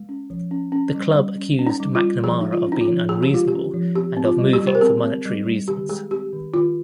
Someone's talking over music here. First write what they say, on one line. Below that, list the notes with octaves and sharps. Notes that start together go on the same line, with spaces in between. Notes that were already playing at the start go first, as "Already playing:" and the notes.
The club accused McNamara of being unreasonable and of moving for monetary reasons.
Already playing: G#3
C#4
F3
C#4
C#4
G3
G3
C#4
C#4
D#4
G3
F4
G3
F3 G#4
G#3 D#4
F4
C#4
D#4
F4
F3
F3 G#4
G4
G#3 F4
G4
C#4
F3
C4 G4
C4
F4
G3
G4
G3
C5
A#4
C4 G#4
C4
G3
G3
D#3 G4
G#3 G#4
C4 G4
D#3
D#3 F4